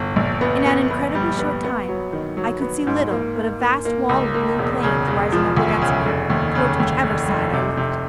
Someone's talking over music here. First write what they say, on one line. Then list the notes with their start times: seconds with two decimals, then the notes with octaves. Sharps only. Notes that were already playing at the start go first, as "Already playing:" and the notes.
In an incredibly short time, I could see little but a vast wall of blue plains rising up against me, towards whichever side I looked.
Already playing: G1
0.16 A#1
0.41 B3
0.66 B3
0.90 B3
1.15 G3
1.39 B3
1.64 B3
1.88 F#3
2.13 D#3
2.37 F#3
2.61 B3
2.87 G#2
3.11 A#3
3.36 A#3
3.60 A#3
3.85 A#3
4.09 C#2
4.34 A#3
4.59 E1
4.83 C#3
5.07 E1
5.32 F3
5.57 D2
5.82 C#3
6.05 F1
6.30 D#2
6.55 C#3
6.80 D#2
7.04 F1
7.29 F1
7.53 C3
7.77 C3